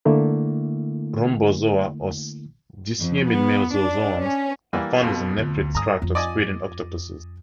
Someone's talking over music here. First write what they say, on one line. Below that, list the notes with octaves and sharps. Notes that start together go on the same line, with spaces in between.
Rhombozoa, or dicyemid mesozoans, are found in the nephrid tracts of squid and octopuses.
D3 A3 A#3 E4
F2
B3
D4
C#4
E3 G3 A#3
F2 B2
D2 F4
G2 A#5 D#6
F2 F4
D5 D#5 G#5